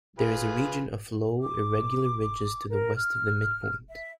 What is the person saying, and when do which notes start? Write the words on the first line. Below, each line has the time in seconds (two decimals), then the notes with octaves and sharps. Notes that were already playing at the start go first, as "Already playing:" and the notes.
There is a region of low, irregular ridges to the west of the midpoint.
0.19 F4 G#4 B4
1.41 D6
2.68 A#4
2.95 F6
3.90 E5